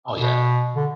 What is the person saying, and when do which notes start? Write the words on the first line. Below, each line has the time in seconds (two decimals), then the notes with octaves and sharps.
Oh yeah.
0.18 B2
0.76 D3